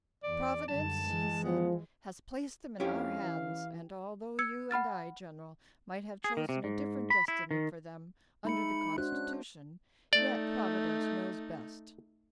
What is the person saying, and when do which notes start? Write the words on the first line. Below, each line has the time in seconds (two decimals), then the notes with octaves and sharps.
"Providence," he said, "has placed them in our hands, and although you and I, General, might have chosen a different destiny for them, under the Constitution, yet Providence knows best."
0.24 E2 D5
0.68 F#2 D3 G3 A5
1.05 E3 G#3
1.43 F3 B3
2.80 F2 C#4 E4 G4 C#5 F5
3.22 E3
4.39 E6 G#6 C#7
4.71 F#5 B5 F6 A6
6.24 G#4
6.37 D#3
6.49 C3
6.64 G#2
7.10 B5
7.28 E4
7.51 D#3
8.45 G#3 D#4 E5 B5 C#7
8.98 D4 F#4 C5 F#6
9.12 C#4
10.13 A3 D#4 D5